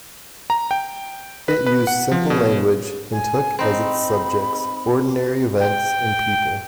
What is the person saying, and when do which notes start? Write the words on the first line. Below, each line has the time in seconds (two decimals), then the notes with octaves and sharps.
It used simple language and took as its subjects ordinary events and people.
0.50 A#5
0.71 G5
1.48 B4
1.66 B4
1.87 F#5
2.12 F3
2.30 B2
3.12 G#5
3.59 C4 D#4 B5
5.60 G5